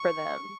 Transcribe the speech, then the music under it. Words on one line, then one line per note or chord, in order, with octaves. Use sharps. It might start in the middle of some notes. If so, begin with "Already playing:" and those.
for them.
Already playing: C#6